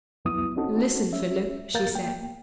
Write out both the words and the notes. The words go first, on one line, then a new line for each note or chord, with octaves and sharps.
"Listen, Philip," she said.
C2 F2 F#3 B3 E4 D#6
C4 C#4 D#4 F#4 A4
C#4 E5
E2 A#3 A#4 F5 G6 A6
A#3 G5